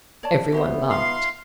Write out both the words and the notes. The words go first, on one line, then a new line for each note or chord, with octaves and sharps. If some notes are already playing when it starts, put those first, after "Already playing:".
Everyone laughed.
C#5 D5 A5
B3 F#4 G4 C5 E5
D#4 F4 F5 C6